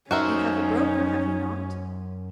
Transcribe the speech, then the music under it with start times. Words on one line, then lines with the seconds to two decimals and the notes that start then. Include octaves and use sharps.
"You have a broker, have you not?"
0.11 F#2 C#4 D#4 F#4 A#4 C5 E5